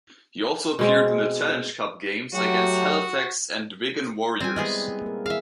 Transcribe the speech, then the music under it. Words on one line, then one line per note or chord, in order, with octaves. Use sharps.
He also appeared in the Challenge Cup games against Halifax and Wigan Warriors.
B2 G#3 C4
F#3 A3 F#4 G4
G3 C4 D5 G#5
G#3 B3 C4 E4 G#4
A#3 A#4
E4 G#4 E5 F5